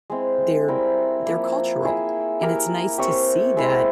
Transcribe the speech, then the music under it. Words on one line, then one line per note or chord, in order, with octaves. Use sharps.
they're they're cultural, and it's nice to see that
G#3 C4 E4
G3 C4 E4 A#4
F3 A#3 E4
E4 G#4 E5
E4 G4 A#4
C4 G4 C#5 E5
G#3 C4 E4